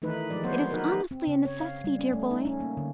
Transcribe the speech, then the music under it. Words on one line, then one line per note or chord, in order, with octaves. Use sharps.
It is honestly a necessity, dear boy.
D#3 E3 A3 D#4 B4
F3 G#3 D5
F#3 B3 C5 C#5 F#5
D#4 F#4 A#4 B4
C4
C#3
C#5
F5
G3
C#4
A3
D#4
C#4
A#3
D3